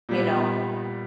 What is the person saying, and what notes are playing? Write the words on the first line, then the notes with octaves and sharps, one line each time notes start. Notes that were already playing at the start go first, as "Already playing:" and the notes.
You know?
A#2 G3 B3